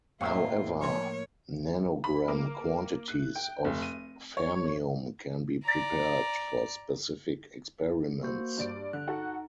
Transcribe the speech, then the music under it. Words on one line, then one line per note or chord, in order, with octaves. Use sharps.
However, nanogram quantities of fermium can be prepared for specific experiments.
A2 C3 D#3 F#3 A#3 F4 E5 F5
F3 C#5 C6
B5
A#3
F#6
G5
F1
D#7
C#5
D5 A#5
A#3 F#4 C5
G2 D5 D7
D3 F#6
D#4 F#4 A4 F#5